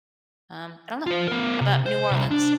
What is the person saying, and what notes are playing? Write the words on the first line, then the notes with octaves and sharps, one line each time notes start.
Um, I don't know. How 'bout New Orleans
F4 C5
B3 A#4
C3
C5
C2
D4